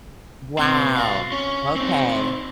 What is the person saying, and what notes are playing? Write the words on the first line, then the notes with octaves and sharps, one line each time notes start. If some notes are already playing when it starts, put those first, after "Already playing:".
Wow. Okay.
B2 C4
F#4 F5
C#4
C4 D#4